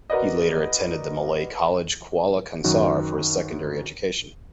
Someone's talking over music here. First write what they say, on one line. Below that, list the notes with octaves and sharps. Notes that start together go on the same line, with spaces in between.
He later attended the Malay College Kuala Kangsar for his secondary education.
F#4 A#4 B4 D5 D#5
F#2 D#3 F#4